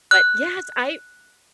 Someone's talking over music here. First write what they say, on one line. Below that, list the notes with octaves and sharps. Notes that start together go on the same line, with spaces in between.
But yes, I
F#6